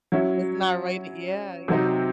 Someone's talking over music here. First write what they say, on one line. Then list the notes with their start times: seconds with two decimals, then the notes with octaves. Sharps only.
It's not right it yeah, yeah.
0.12 F#3 C#4 E4
1.68 C3 F#3 C4 D#4